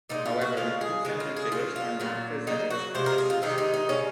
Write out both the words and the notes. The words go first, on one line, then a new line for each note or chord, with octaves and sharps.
However, the two feminine figures are not presented as contestants.
A#2 F3 G#3 D#4
F4
F#4
C#3 F3 G#3 F4
G#4
C#3 G#3
F4
G#4
C#3 F#3 F4
F4
A#2 F#3
C#3 F#3 D#4
F#4
C3 F3 G#3 C5
A#4
G#4
F4
C3 D#3 G#3 D#4
D#4
D#4
C#3 G#3 C#4